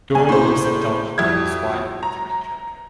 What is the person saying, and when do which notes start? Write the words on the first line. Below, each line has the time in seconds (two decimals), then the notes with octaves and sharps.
Doyle lives in Dublin with his wife and three children.
0.15 A#3 G#4 D5 G#5
0.29 A2 C5
1.18 F2 G3 E4 F#4 G#6
2.03 A#5